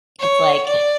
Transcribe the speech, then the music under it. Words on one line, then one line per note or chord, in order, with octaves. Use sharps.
it's like
C#5
D5